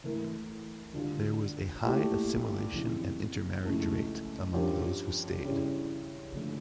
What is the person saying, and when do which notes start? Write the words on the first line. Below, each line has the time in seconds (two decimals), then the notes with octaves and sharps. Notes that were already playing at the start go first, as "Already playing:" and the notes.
There was a high assimilation and intermarriage rate among those who stayed.
0.04 E3 A3 E4 A#4
0.93 D2 D3 G3 D4 F4
1.84 A#2 A3 E4 G4
2.73 F2 C#3 E3
3.64 C#2 C#3 F3 A3 E4
4.54 G2 F3 C#4 G4 A#4
5.44 C#3 G3 C#4 E4
6.34 D3 F3 A3